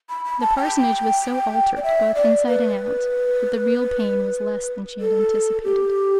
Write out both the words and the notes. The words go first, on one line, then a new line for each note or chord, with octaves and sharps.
The parsonage was so altered, both inside and out, that the real pain was less than she had anticipated.
B5
B5
A5
G5
D5
E5
D5
B4
A4
G4